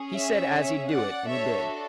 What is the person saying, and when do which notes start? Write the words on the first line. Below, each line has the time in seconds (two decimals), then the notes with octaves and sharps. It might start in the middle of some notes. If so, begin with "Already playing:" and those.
He said as he'd do it, and he did.
Already playing: C#4 G#4
0.13 C#5 E5
0.89 D5 F#5
1.26 D4 F#4 A4 C#5 E5